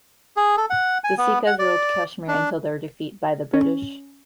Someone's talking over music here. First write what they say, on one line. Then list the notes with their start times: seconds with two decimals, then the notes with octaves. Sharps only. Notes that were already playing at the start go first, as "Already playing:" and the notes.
The Sikhs ruled Kashmir until their defeat by the British.
0.37 G#4
0.57 A4
0.70 F#5
1.04 G#5
1.18 B3
1.47 F#5
1.59 D5
2.28 D4
3.54 C#4